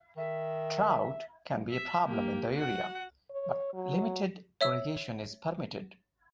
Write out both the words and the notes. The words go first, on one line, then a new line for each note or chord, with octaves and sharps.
Drought can be a problem in the area, but limited irrigation is permitted.
D#3 E5
E5
A#3 G4
F#4 F#5
C#5
F#3
C#5 E5 E6